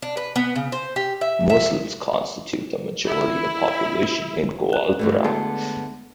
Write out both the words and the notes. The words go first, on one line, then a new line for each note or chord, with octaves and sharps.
Muslims constitute the majority of population in Goalpara.
D4
B4
B3
C#3
C5
G4
E5
E5
E4
F#6
G2 E3 A3 F#4
D3 G#3 A3 B3 A5